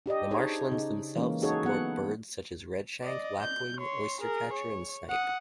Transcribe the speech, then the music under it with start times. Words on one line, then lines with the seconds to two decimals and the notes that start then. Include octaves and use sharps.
The marshlands themselves support birds such as redshank, lapwing, oystercatcher and snipe.
0.06 D4 G4 D5 D#5
0.31 D4 D#4 G#4 C5 C#5
0.72 C#3 D#4
1.16 E3 G#3 A#3 C#4
1.42 C#4 D#4 F#4 G#4 A4 C#5
1.64 F#3 B3 F#5
3.02 D5 D#5
3.42 G6
3.78 C#5 C6
4.21 G#4 A#4
4.53 C#5
5.10 F#5 D#6